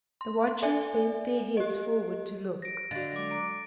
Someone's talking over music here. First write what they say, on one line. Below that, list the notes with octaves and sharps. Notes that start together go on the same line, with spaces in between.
The watchers bent their heads forward to look.
C6
A4 D5 E5 G#5
G4 D#5
A#6 D7
D3 F#4 D#5 F5 A6
F#3 G#3 D6 A#6
A#5 D6 D7